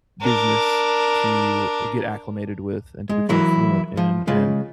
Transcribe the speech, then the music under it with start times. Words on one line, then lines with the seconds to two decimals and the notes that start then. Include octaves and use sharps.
business to get acclimated with and to become fluent in. And,
0.21 D4 A#4
3.09 G#3
3.29 E3 F#3 E4 F#4 A#4
3.97 F3
4.27 C#3 G#3 F4